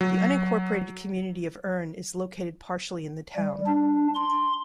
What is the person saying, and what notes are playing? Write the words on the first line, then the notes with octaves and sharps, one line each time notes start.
The unincorporated community of Urne is located partially in the town.
F#3
G3
D4
C6